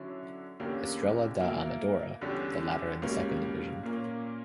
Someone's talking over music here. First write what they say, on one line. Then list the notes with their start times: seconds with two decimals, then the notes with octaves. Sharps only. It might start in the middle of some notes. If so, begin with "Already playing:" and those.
Estrela da Amadora, the latter in the second division.
Already playing: D3 F#3 C#4 E4
0.60 E2 D3 A#3 C#4 G4
1.40 B2 A#3 E4 A#4
2.21 E2 D3 G3 C#4 G4
3.02 C#2 B2 G3 A#3 C#4
3.83 A#2 A#3 C#4